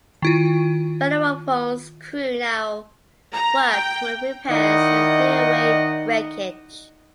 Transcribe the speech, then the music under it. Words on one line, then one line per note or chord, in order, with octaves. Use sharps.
"Bellerophon"s crew now worked to make repairs and clear away wreckage.
D#3 E4 F4
A#5
G5
D#3 D#4 E4 D5 D#5 F#5